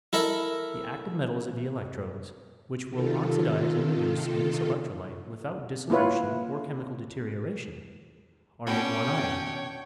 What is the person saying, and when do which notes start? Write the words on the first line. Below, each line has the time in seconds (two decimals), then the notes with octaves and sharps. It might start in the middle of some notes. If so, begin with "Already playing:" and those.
The active metals of the electrodes--which will oxidize and reduce in this electrolyte without dissolution or chemical deterioration--are nickel and iron.
0.13 E4 A4 A#4 E5
2.87 C3 D#3 F4 A4
5.90 A#3 E4 F4 B4 C#5
8.67 B2 C#4 D4 C#5 G5